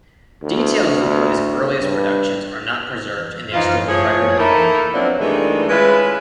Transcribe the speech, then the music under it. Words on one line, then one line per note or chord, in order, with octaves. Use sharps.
Details of the play's earliest productions are not preserved in the historical record.
D2
G2
E3 F3 D#4 F4
A2 F3 G#4 C#5
A#3 D#4 E4 A4 A#4
B2 F3 F#3 A#3 C4 D4
G2 D#3 E3 G#3 A3 D4
G#3 C#4 E4 F4 B4